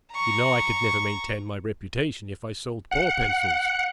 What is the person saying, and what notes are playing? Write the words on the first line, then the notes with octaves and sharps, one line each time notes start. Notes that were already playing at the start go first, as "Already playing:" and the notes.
You know I could never maintain my reputation if I sold poor pencils.
A#5 C#6
F#5